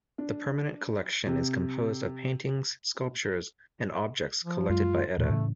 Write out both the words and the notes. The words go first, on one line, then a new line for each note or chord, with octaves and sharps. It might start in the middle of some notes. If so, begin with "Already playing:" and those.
The permanent collection is composed of paintings, sculptures and objects collected by Ede.
D4
C3
F3
F#2 G#3 F4
E2 A#2 A3
A2 C#3 E3